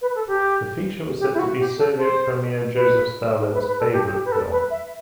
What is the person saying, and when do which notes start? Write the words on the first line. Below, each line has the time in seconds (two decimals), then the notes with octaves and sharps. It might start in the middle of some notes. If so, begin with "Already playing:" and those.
The feature was said to be Soviet Premier Joseph Stalin's favourite film.
0.01 B4
0.15 A4
0.27 G4
1.19 G4
1.34 E4
1.38 F#4
1.58 G4
1.77 A4
1.97 C5
2.74 B4
3.53 B4
3.66 B4
3.79 A4
3.92 G4
4.12 G4
4.25 B4
4.32 A4
4.51 B4
4.70 E5